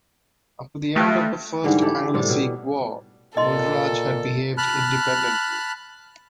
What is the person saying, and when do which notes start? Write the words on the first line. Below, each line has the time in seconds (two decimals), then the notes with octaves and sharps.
After the end of the First Anglo-Sikh war, Mulraj had behaved independently.
0.96 G2 A3 F4
1.64 G#2 D3 E3 G3
1.82 E4 G4 A4 D5
2.14 A2 C3 G3 D5
2.29 B2
3.37 A#2 A4 D#5 C6
4.58 A5 B5 F6 F#6